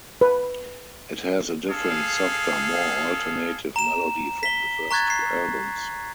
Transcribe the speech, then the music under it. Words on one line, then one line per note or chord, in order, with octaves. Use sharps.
It has a different, softer, more alternative melody from the first two albums.
B4
G#4 A4 F5
A#5 E7
B6 G7
A#5 C#6 F#6 G#6 A6
C7